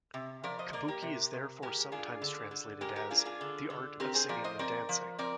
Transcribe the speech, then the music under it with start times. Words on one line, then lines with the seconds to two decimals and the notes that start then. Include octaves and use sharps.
Kabuki is therefore sometimes translated as "the art of singing and dancing".
0.14 C3
0.43 F3 A#4 D5
0.59 C5 D#5
0.73 A#3 A#4 D5
0.88 G4 A#4
1.02 C3
1.33 C3
1.62 G#3 G4 A#4
1.92 D4 F4 G#4
2.22 D3
2.51 D3
2.81 G#3 G4 A#4
2.96 G4 A#4
3.10 D4 F4 G#4
3.19 A#4
3.26 F4 G#4
3.41 D3
3.70 D3
4.00 C4 G4 A#4
4.15 G#4 C5
4.29 F3 A#4 D5
4.44 C5 D#5
4.59 C4 A#4 D5
4.89 F3
5.19 C4 A#4 D5